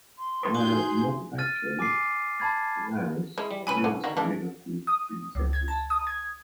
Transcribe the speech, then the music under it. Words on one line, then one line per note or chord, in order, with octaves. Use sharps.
While not a bad show, 'Louse' fails to live up to its predecessors.
C6
D#4 F#4 G#4 G#5 G6
F6 A6 D#7
G#5 D6 A6 C7
A5 B5 G#6 A6
G#3 E4
G3
C2 C#4 B4 G#5 B5 D#7
D3
D3 D#3 F#4 A#5
C#3 E3 D4
D#6
C#2
G#6
A5
D#6
G#6